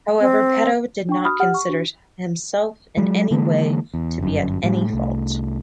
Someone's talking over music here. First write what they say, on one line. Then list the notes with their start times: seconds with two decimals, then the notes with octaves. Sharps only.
However, Peto did not consider himself in any way to be at any fault.
0.20 C4
1.09 D4 G5 C#6
1.25 F#4 B5 D#6 F6
1.40 G4 F#5 F6
1.54 C#6
1.69 D4 F#4
2.97 F#3 G#3
3.31 D3 E3 G#3 A#3
3.94 E2
4.19 G1 F#2
4.63 A2 G3
4.90 C2 A3